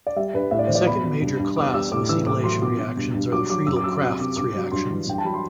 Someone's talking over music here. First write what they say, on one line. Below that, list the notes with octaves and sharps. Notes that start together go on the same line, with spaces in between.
A second major class of acetylation reactions are the Friedel-Crafts reactions.
D5
G3 E5
G2 B4
A2 E5
D5
E3 C5
D5
B2 B5
B2
G2
G2
E2 D6
G3 E6
A2 D6
E3 E6
A2 D6
F#3 C6
B2 D6
B2
G2
G2
F#3 D6
F#3 D6
F#2 E6
D6
F#3 E6
D6
C3 E6
C3 D6
G2 D6
F#3
G2 C6
E3
G2 G5
A5
F#3 B5
C6